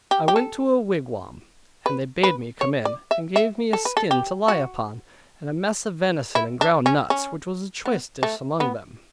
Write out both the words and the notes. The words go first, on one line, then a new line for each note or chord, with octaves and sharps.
I went to a wigwam, and they bade me come in, and gave me a skin to lie upon, and a mess of venison and ground nuts, which was a choice dish among them.
G4
G4
A4
B4
B4
C#5
D5
E5
E5
A4
B4
A4
G4
F#4
E4
D4
C#4
C#4
B3
A3
B3